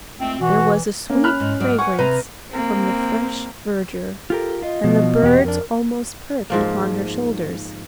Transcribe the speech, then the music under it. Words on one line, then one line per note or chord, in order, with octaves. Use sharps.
There was a sweet fragrance from the fresh verdure, and the birds almost perched upon her shoulders.
C#2 A3 C4
B2 E3 F#4
A#3 C#4
B5 F6 F#6
G#2
G#2 F#3 D5
B4 F#5 G#5 C#6
C3 B4 A#5
A#3 C4
F4 G4 A4 A#4
F4 D#5
B2 F3
E2 F#4 G4
F2 D4 A#4
G#2 F3 A#3